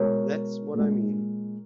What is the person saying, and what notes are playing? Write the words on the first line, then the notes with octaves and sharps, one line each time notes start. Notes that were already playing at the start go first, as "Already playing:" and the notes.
That's what I mean.
Already playing: B2 G#3 A#4 C#5
A#2 G#3